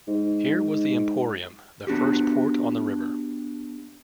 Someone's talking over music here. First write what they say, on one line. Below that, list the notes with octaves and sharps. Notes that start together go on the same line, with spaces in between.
Here was the "Emporium", the first port on the river.
G#2
B3 D4 F#4 G4